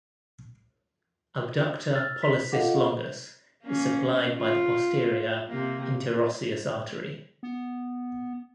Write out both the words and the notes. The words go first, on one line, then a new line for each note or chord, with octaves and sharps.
Abductor pollicis longus is supplied by the posterior interosseous artery.
E6 F6 A6
B6
F4 A4 D#5 F5 F#5 D6
A#3 C#4
F4
C3 A#3
B3